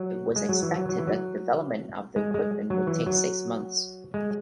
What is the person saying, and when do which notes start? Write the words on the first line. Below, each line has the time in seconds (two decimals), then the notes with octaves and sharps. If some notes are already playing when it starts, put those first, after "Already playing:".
It was expected that development of the equipment would take six months.
Already playing: F#3
0.36 G#3
0.49 F#3
0.63 E3
0.76 F#3
0.89 F#3
0.99 E3
1.07 F#3
2.16 G#3
2.34 G#3
2.70 F#3
2.87 E3
3.06 F#3
4.14 G#3